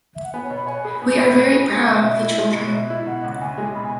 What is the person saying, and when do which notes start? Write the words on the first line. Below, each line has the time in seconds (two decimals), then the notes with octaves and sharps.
We are very proud of the children.
0.15 E5
0.23 F#5
0.33 B3 G#5
0.44 C#5
0.50 B2
0.57 B5
0.67 C#5 G#5
0.85 G#4
0.90 B5
1.01 B3 G#5
1.19 B2 B5
1.36 C#5
1.52 G#4
1.70 G#3 G#5
1.81 F#5
1.87 B2
1.93 E5
2.04 B2
2.21 E4
2.38 G#3
2.55 B2
2.67 C#5
2.72 B2 E5
2.90 E4
3.06 B2 F#5
3.24 C#2
3.41 C#2 G#5
3.58 G#3
3.75 B2 B5
3.84 G#5